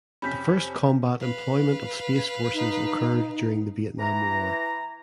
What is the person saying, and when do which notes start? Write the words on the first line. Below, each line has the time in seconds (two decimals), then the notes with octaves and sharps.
The first combat employment of space forces occurred during the Vietnam War.
0.22 F2 C3 C#4 B5 G6 B6
1.20 B4 F5
2.54 D#4
3.99 E3 A#5